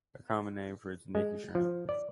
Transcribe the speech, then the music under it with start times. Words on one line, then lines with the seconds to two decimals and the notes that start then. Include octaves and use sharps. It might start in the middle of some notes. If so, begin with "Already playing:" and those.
A common name for it is nika shrimp.
1.15 G#3
1.55 F3
1.89 D5